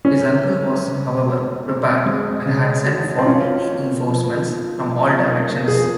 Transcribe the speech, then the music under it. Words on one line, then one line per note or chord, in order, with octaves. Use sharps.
His uncle was, however, prepared and had sent for reinforcements from all directions.
C4 C#4
G#3
C#3
F#4
C4
G#3
C#3
F#4
C4
C#4 F4
A#3
F3
F3
F4
A#3
F3 G#4